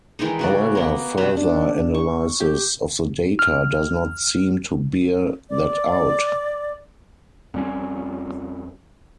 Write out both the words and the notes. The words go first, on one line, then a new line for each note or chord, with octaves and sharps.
However, further analysis of the data does not seem to bear that out.
D#3 E3 G#3 D#4
C#3 F#4 D5
A#3 B3
C3 F#3 B4 E5
D4
C#6
G4
F6
D5
F2 G3 C#4